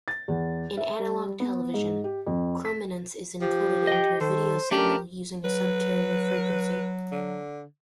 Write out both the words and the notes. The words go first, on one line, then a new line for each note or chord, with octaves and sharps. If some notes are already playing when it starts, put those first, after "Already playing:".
In analog television, chrominance is encoded into a video signal using a subcarrier frequency.
A6
E2
E5
G3
B3
G#2
G4
F2
B6
F3 G4
D#5 G5
D#3 A4 C5
A3 C#4 D4 G4 A#4
F#3 B4
D3